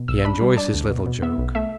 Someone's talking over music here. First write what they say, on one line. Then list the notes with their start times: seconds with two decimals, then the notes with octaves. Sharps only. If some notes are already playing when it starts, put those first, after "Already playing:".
He enjoys his little joke.
Already playing: B2
0.08 B1 E6
0.25 D4 B5
0.42 G3
0.57 D4 A5
0.74 D2
0.90 B2
1.06 B2
1.22 B3 E5
1.38 B1
1.55 A3 E5